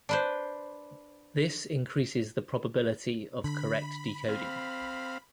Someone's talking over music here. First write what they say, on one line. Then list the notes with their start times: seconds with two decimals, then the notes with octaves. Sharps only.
This increases the probability of correct decoding.
0.09 D4 B4 C5
3.44 D3 B5
4.29 C4 F5